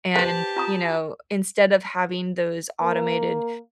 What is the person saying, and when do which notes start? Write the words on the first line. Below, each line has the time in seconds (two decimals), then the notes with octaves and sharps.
and, you know, instead of having those automated,
0.16 G4 B4 C5 A5
0.56 F4 A#5 D#6
2.82 A#3